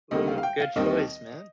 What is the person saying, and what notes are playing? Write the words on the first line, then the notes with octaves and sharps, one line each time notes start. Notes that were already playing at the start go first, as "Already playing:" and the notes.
Ooh, good choice, man.
D2 C3 D#3 G3 A#3 D#5
F5
F5
G5
F5
D#2 D#3 G3 C4 D#5